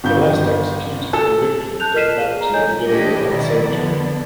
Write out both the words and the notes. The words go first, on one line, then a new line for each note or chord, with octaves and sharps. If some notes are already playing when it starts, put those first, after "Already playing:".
The last executed convictions date back to the beginning of that century.
G1 G6
A4
A5 F#6 G6 F7
D#5 F6 B6 C7 D#7 E7
G#4
A#5
A4 C#5 D#5 G#5 G6
E3 D4 E4 G4 C#5 D#5
B2 D#3 F#3 E4 D5
F2 D3 B3